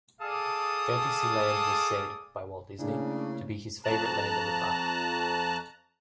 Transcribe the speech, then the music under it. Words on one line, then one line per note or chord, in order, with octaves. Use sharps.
Fantasyland was said, by Walt Disney, to be his favorite land in the park.
G#4 A4 D5 F5 A5 D#6
C#3 A3 A#3 D4 E4
F2 A5 A#5 F#6